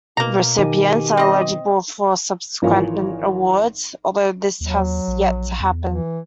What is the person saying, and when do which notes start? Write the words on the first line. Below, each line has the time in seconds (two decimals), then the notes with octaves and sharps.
Recipients are eligible for subsequent awards, although this has yet to happen.
0.17 B2 A#3 A#5
0.58 D#3 G4 G#5
1.17 C4 D#5
2.62 G#1 E3 F3 A#4 C#5 G#5
4.61 D#2 F#3
5.08 A#1
5.60 E2
5.91 E3